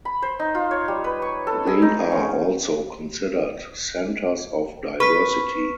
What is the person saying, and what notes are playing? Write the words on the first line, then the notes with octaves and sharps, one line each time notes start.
They are also considered centers of diversity.
B5
C5
D#4
F4
C#5
G3
B4
C#6
A4
G#4
D#4
C#4
B4 C#6 F6 B6